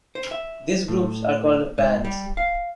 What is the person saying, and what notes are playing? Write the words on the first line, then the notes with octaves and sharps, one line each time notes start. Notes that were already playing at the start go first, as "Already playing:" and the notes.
These groups are called bands.
C5
E5
A2
G#2
G3
F5